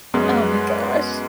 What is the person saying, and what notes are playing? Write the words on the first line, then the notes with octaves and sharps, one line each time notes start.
Oh my gosh.
F#2 G#3 B3